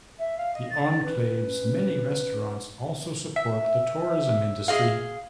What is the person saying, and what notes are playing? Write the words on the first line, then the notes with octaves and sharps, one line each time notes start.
The enclave's many restaurants also support the tourism industry.
E5
F5
D#5
A6
C#4 B4
E5
G#4 D#5 F5